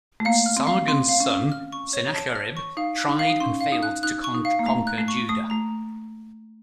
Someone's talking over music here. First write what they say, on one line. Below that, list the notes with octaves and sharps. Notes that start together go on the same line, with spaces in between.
Sargon's son, Sennacherib, tried and failed to conquer Judah.
A3
A#3 F5
F6
C4
F5
C4 C6
F5
C#4
F6
F6
C#6
C#5
A5
F6
C#6
D#4 F5
F#6
D#4
F5
D#4
C#4 C6
F5
D#4
F#6
D#4 F#6
C#6
D#4
F5
A#3
A3 A#5
F#6
A3
C#6
A3 D#6
A3 A#5